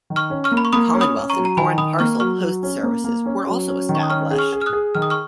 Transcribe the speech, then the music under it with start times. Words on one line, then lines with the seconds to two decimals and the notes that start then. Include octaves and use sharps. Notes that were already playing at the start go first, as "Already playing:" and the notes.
Commonwealth and foreign parcel post services were also established.
0.10 D#3
0.16 C#6 F6
0.30 C#4
0.44 C#6 F6
0.51 A#3
0.57 B5
0.65 C#6
0.73 A#3 B5 D#6
0.94 C#4
1.01 B5 D#6
1.15 C#4
1.30 A#5 C#6
1.36 F#3
1.45 A#5
1.57 D#3 G#5 B5
1.78 D#3 B5 D#6
1.99 A#3 C#6 F6
2.20 F#3 C#6 F6
2.41 F#3
2.63 C#4
2.83 A#3
3.04 A#3
3.26 C#4
3.47 F#3
3.68 C#4
3.89 D#3
3.95 C#6
4.03 D#6
4.10 C#4 C#6 F6
4.31 G#4
4.38 C#6 F6
4.53 G#4
4.62 F6
4.66 D#6 F#6
4.73 G#4
4.95 D#3 F6
5.02 D#6
5.10 C#6 F6